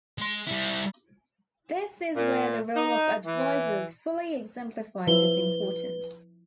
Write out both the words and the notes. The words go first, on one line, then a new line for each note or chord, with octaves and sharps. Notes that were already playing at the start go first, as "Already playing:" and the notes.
This is where the role of advisors fully exemplifies its importance.
G#3 C6
G3 E4
A#2
D#4
E3
F3 E4 B4 G7